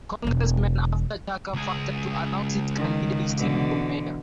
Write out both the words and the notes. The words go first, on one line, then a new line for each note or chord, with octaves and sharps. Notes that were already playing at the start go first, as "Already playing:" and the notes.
Congressman after Chaka Fattah to announce his candidacy for mayor.
E1 E2
C#2 G#4
D#3
B2 D3 E3